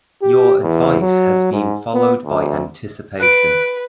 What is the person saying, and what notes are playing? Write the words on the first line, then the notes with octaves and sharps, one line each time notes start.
Your advice has been followed by anticipation.
G4
E2
F#3
G#2
B3
D2
B4 F#6 D7